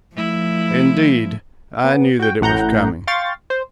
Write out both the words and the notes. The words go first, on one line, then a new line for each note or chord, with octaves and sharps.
"Indeed, I knew that it was coming."
F3 A3 E4
B3
F#4 G5
A1 A2 F#5 A#5 G6
F5 G5 C6 C#6 A6
C5